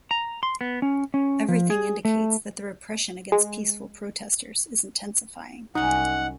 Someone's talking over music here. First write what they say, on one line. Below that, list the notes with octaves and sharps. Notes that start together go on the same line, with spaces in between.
Everything indicates that the repression against peaceful protesters is intensifying.
A#5
C6
B3
C#4
C#4
F3
G#4
A3
G#3
C2 F#3 C#4 D#4 D#5 F#5